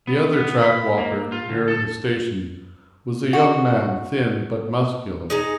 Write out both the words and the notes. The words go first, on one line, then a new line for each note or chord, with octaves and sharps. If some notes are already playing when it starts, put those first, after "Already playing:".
The other track-walker, nearer the station, was a young man, thin, but muscular.
B3
B3
B5
A#3
F4
D2
A4
F#4
D#4 G#4 A#5